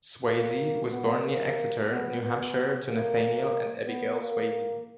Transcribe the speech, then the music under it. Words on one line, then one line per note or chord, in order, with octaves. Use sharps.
Swasey was born near Exeter, New Hampshire to Nathaniel and Abigail Swasey.
A#3
B3
A#3
B3
B3
A#3
B3
A#3